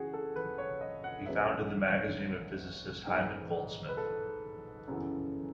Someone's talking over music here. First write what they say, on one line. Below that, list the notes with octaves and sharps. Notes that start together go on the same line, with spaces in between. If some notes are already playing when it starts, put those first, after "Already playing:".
He founded the magazine with physicist Hyman Goldsmith.
Already playing: C#3 E3 F#4 G#4
A4
B4
C#5
D#5
F#5
E2 C#3 F#3 B3 E5
C#5
G#2 F#3 B3
B4
A4
F#2 C#3 E3 B3